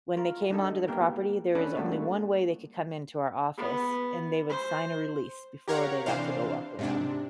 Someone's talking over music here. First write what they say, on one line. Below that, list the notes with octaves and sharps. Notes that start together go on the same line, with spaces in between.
When they came onto the property, there is only one way they could come into our office, and they would sign a release before they got to go walk around.
F4 A#4
G3 D4 D#4 A4
A#3 B3 G4 A#4
C#4 D4 A4 B4
G3 A3 A#3 D4 F4 F#4
B3
C5
G4 A#4 C#5 F5 F#5 A#5
C3 E3 D4 C5 F5
G#2 C3 D4